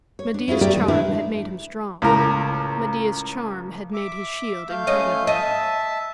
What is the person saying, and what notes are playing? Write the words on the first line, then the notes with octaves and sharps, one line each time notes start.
Medea's charm had made him strong; Medea's charm had made his shield impregnable.
C#5
D4
C#4 E4 F4 G#4
F#4 G4 A#4 D5 E5 G5
D#3 G#3
D#3 A3 D4 E4 A#4 B4
C#2 A2 A#4
E5 D6
A3 F5 G6
C#4 D#5
D#5 E5 A5